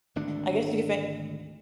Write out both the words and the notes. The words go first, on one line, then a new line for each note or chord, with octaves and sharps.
I guess you could say
G#1 D2 D3 D4